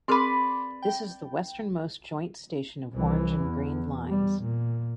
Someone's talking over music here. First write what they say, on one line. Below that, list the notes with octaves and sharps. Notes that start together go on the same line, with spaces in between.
This is the westernmost joint station of Orange and Green lines.
C4 G#4 A#4 B4 D5 C6 D6
G5
C2 E3
E2
G3
A#2